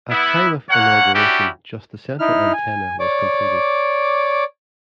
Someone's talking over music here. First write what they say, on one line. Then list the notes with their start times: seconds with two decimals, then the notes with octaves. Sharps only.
At time of inauguration just the central antenna was completed.
0.11 B3 E4
0.69 A#3 C#5 F#5
1.14 C#4 D4 E4 F#4 G4
2.19 D#4 E4 F6
2.53 G#5
3.00 C#5 D5 D6